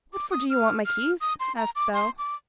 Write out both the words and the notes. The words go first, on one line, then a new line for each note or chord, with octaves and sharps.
'What for do yo' want my keys?' asked Bell.
D6
D#6
F6
F6
D#6
C6
A#5
D6
C6
D6